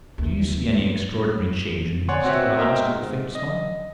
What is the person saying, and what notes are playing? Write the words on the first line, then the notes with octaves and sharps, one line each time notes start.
"Do you see any extraordinary change in me?" Stella asked, with a faint smile.
D#2 E3
C#5 D5 F#5 G#5 C6 C#6
C4 F#4 C#5 E5
A#4 C5 D#5 E5 G5
G#2
D#5